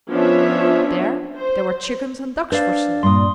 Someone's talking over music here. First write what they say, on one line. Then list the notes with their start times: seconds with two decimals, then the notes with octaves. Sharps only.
There, there were chickens and ducks for sale.
0.11 F3 B3 C#4 D4 C#5 E5
1.38 C5
2.52 D4 B4 C5 D5 F5
3.03 G2 A#2 C6 D#6